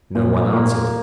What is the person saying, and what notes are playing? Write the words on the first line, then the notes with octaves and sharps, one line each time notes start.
No one answered.
A#2
A#3